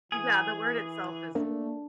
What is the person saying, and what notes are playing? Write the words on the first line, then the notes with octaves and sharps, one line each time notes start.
Yeah, the word itself is
E3 G#4
A3 A#3 D4